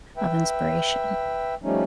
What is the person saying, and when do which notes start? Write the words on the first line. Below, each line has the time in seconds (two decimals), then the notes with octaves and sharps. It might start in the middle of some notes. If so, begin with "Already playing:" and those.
of inspiration.
0.17 B4 E5 G5
1.63 F3 G3 A3 C#4 D#4